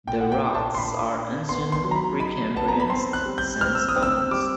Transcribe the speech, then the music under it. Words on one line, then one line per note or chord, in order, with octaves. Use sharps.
The rocks are ancient Precambrian sandstones.
A#2 G5
F#5
G5
D4
A5
C6
A#2 B5
D4
B3 C6
C6
F#3
A#5
B5
D#4 B5
B3 A5
A#5
B5
C4 C6
F#6
G3
G6
C4 F6
E6
D#6
C4
E6
G3 D6